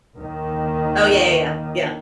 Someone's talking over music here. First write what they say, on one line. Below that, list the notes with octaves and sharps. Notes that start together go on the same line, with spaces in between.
Oh, yeah, yeah, yeah. Yeah.
D#2 D#3